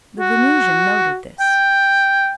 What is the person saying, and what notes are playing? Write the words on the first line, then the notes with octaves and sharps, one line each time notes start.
The Venusian noted this.
F#4
G5